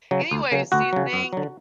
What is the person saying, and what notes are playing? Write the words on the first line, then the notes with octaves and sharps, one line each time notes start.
anyways, do you think
C#3 F#3
D2
C#3 F#3
D2 F#4
C#3 F#3
F#2
D3 F#3